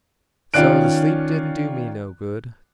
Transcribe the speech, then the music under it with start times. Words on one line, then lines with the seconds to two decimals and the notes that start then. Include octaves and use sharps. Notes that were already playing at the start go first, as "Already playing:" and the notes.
So the sleep didn't do me no good.
0.54 D#3 C#4 F4 D5 F#6 D7